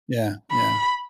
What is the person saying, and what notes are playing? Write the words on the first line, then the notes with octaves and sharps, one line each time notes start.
Yeah, yeah.
B5